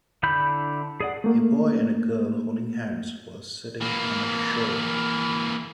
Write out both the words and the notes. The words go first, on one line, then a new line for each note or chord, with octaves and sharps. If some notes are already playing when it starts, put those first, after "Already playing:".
A boy and a girl holding hands while sitting on a shore.
D3 D4 E4 B5 G6
G#4 D5 F#5
A3 A#3
E3 A#3